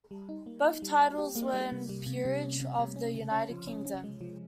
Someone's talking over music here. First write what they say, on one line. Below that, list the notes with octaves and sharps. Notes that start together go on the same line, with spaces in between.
Both titles were in the Peerage of the United Kingdom.
G3
D#4
A#3
D#4
G3
G3
G4
A#3
G3
C3
G3
C3
C3
C#4
C3
C3
C#4
C#3
C#4
F3
C#4
C#4
G#3
F3